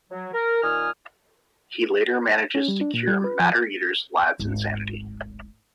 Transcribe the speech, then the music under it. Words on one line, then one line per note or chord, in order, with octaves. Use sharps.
He later manages to cure Matter-Eater Lad's insanity.
F#3
A#4
A#2 D#3 G#5 D#6 F6
C#4
G3
D4
A#2
G3
B4
F3
D1 G#1